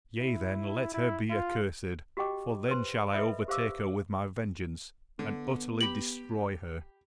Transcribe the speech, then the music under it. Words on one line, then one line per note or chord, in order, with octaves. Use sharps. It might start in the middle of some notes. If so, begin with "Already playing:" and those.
"Yea, then, let her be accursed; for then shall I overtake her with my vengeance, and utterly destroy her."
E4
E4
F4
F#4 G4 D#5 G5 D6
B4 C5 C6
A4 B4 D#5 E5 B5
G4 C5 F5 D6 E6
D3 B3
G4 B5 F#7